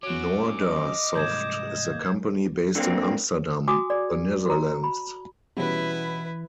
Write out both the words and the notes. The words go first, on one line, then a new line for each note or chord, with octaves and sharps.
NoorderSoft is a company based in Amsterdam, the Netherlands.
F#3 C#4 F#4 D6
D#5
C2 G#2 G6 G#6 E7
A#3
D3 A#3 C4
F#4 G#5 D6 D#6
G#4 D5
F#4 A#5
B5
B2 E3 G3 C#4 E4 B4